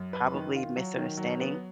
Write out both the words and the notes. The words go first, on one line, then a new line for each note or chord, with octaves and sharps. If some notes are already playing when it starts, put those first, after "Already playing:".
probably misunderstanding
Already playing: F#2
B4
D#3
F4
F#3
D#3
F#3
B3